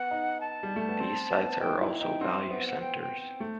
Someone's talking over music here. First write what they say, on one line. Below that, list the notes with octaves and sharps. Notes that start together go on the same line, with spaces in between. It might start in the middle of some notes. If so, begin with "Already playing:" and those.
These sites are also Value Centres.
Already playing: B3 F#5
D#4
A5
G3
A3
B3
C4
B3
D#4 G5
E4 G5
D#4 G5
C4 F#5
E5
B3
F#5
G5
G5
G5
A3